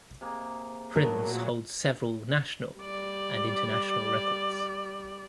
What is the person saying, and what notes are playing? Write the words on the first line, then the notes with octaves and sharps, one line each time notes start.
Prinz holds several national and international records.
C3 A#3 G#4
A#2 F#3 A3 B3 A#4
G3 D5